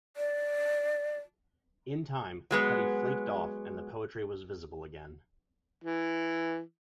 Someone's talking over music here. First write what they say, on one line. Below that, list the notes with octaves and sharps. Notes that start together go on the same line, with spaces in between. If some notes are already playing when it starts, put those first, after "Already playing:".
In time, the putty flaked off and the poetry was visible again.
D5
F#3 G#3 B3
E3